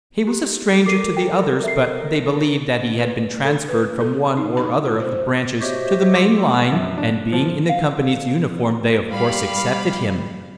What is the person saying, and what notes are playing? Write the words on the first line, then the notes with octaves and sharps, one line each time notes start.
He was a stranger to the others, but they believed that he had been transferred from one or other of the branches to the main line, and being in the company's uniform they, of course, accepted him.
G4
A4 A#4 D6 C7 D#7
G5
E5 C7
B4
A4
B4
A4
D#4
B5
F4
C5
F#4 G4 C5 C#5 D#5 E5
F4 G4 A4
F#2
D4
F3
F5
G3 F5 B5